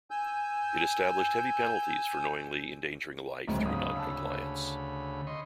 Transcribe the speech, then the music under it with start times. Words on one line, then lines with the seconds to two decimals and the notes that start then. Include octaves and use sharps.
It established heavy penalties for knowingly endangering life through noncompliance.
0.11 G#5 E6 G6
3.48 D1 D2 G#2 C#3 C4 B5
3.66 F5 D#6
3.97 A5 E6
5.27 D#5 C6 C#6